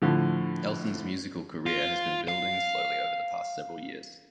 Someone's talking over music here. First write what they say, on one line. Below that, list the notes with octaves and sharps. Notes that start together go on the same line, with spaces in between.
Elson's musical career has been building slowly over the past several years.
A2 D3 F3
F4
F5